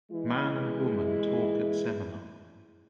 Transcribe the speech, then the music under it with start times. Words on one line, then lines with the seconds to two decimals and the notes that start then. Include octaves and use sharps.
Man and woman talk at seminar.
0.11 E3 G#3 E4